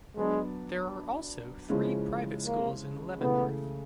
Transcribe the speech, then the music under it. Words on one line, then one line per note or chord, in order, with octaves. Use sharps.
There are also three private schools in Leavenworth.
F#3 G#3 B3 D4
C#3 F3 G#3 C#4 E4
A#3
C#3 E3 A3 B3